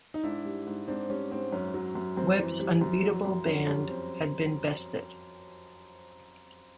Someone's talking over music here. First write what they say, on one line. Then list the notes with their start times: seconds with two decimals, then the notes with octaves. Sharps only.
Webb's "unbeatable" band had been bested.
0.14 D#4
0.23 G#2 D4 E4
0.45 G3
0.66 G#2
0.87 G#2 C4 D4
1.10 G3 C#4
1.31 G#2 C4
1.52 F#2 C#4
1.74 F#3
1.95 F#2
2.17 F#2 C4
2.39 E3
2.59 G3
2.81 F#2
3.04 F#3
3.25 F#2
3.46 F2 C#4
3.67 G3 C#4
3.89 C4